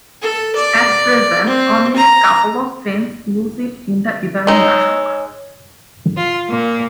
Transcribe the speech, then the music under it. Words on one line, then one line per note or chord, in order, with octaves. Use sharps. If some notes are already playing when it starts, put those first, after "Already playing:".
At present, only a couple of trains use it in the evening rush hour.
A4
D5
C4
A#5
G#3 D#4 C#5 E6
F4
A#2 A#3